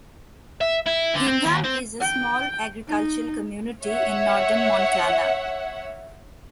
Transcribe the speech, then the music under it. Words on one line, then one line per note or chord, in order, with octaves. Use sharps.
Hingham is a small agricultural community in northern Montana.
E5
E4
D3
C4
D#2
C4
G5
D#4
C#5 E5 F#5